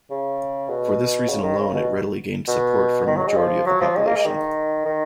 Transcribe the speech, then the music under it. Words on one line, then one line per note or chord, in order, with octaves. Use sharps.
For this reason alone it readily gained support from majority of the population.
C#3
B2
C#3
D#3
C#3
B2
B2
D#3
F#3
G#3
F3
F#3
F3
G#3
A#3
G#3
D#3
D#3